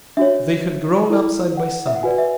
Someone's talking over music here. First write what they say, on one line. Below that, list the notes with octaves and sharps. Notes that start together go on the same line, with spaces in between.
They had grown up side by side.
D4 F#4 C#5 E5
E4 A4 D5
F#5
E5
F#5
F#4 B4 D5 G#5
E5